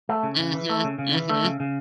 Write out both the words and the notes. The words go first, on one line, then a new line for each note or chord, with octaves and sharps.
Mhm, mhm.
A3
C#3
C#3
E3
A3
C#3
C#3
E3
A3
C#3
C#3